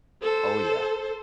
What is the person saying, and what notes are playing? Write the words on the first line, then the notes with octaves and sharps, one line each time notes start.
Oh, yeah.
A4 C5